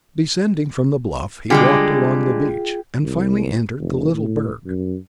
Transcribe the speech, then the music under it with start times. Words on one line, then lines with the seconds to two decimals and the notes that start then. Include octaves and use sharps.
Descending from the bluff, he walked along the beach, and finally entered the little burg.
1.50 D3 G3 G#3 F4 G4 G#4
3.03 C2
3.79 F1
4.14 A2
4.66 F#2